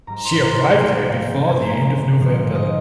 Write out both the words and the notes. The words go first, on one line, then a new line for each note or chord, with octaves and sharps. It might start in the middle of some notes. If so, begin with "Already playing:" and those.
She arrived there before the end of November.
G#2 G3 C4 A#5
C6
A#5
C6
A#5
C2 C3 F3 G#3 C4 F5
G5
G2 D3 G3 C4 G#5
A#5
G#2 F3 G#3
D#5